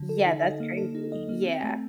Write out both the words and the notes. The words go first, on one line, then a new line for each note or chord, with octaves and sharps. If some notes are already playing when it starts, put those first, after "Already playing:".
Yeah, that's crazy. Yeah.
Already playing: D3
A4
D#4
D#5
A#3
A4
D#4
D#5
A#3
C4
A3